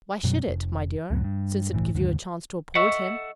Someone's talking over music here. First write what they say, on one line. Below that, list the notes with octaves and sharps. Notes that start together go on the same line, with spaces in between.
"Why should it, my dear, since it give you a chance to uphold him?"
F#2 B2 F#3 G3
F1
C#2 F#2 A2 F#3
G2
G1 C2 A2 E3
F1 D#2 G#2 D3
A4 D#5 E5 F#5 C#6